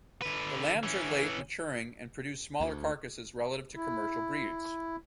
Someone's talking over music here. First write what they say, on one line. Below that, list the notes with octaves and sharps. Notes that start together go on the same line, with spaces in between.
The lambs are late maturing and produce smaller carcasses relative to commercial breeds.
D3 B4
E3 C#4
D2
E4